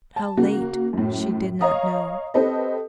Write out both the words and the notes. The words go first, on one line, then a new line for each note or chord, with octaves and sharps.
How late she did not know.
A5
C#3 A#3 F#4
F#2 A2
C#5 D#5 F5 A#5 D#6
C4 G4 A4 B4 D#5